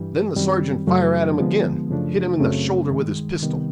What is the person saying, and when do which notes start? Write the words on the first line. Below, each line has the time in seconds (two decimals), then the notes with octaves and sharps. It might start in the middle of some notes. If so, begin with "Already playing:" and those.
Then the sergeant fire at him again; hit him in the shoulder with his pistol.
Already playing: G2 E3 G3
0.36 F#2 D#3 G3 C4
0.87 F#2 C#3 F#3 A3 C#4
1.38 D3 F3 G#3 B3
1.89 F#2 C#3 F3 A3 D4
2.40 F#2 C#3 F#3 A3 C4
2.91 G2 D#3 G#3
3.41 C3 D#3 G3 B3